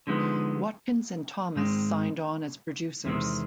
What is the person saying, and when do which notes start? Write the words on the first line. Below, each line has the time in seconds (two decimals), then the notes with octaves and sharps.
Watkins and Thomas signed on as producers.
0.07 D3 F3 G#3 B3 D#4
1.55 G#2 D#3 G#3 C4
3.05 E2 C3 D#3 G#3 C4